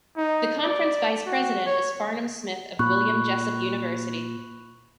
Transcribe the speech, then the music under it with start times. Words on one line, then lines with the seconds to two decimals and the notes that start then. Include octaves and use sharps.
The conference vice president is Farnum Smith of William Jessup University.
0.17 D#4
0.63 D5
1.26 F#4
1.66 C#5
2.79 A#2 B5 C#6 F#6